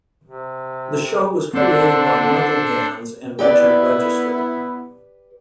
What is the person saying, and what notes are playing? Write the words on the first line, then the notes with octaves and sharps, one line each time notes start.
The show was created by Michael Gans and Richard Register.
C3
D3 C4 D4 A4 C5 D5
B3 E4 G4 B4 D5